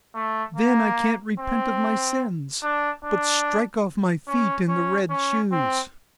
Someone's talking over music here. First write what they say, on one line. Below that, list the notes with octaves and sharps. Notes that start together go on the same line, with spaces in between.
"Then I can't repent of my sins! But strike off my feet in the red shoes!"
A3
A#3
C4
D4
D4
C#4
C#4
C#4
C4